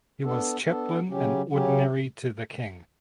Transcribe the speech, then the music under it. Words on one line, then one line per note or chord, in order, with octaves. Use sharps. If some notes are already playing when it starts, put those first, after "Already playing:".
He was Chaplain in Ordinary to the King.
B3 D4 A4
B3 D4 A4
C#3 F#3 C#4 G4
C#3 F#3 C#4 G4